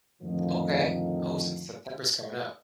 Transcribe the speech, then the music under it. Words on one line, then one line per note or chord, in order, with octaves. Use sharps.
Okay. Oh, Sep September's coming up.
F2 A2 D3 D#3 F3